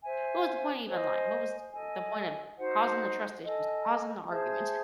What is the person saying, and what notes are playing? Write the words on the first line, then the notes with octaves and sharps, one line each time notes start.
What was the point of even lying? What was the point of causing the trust issues, causing the argument?"
C5 E5 G#5
C5 D#5 G#5
A4 D#5 G#5
D#4 F#4 C5 F#5
A4 D#5 G#5
G#4 C5 E5 A5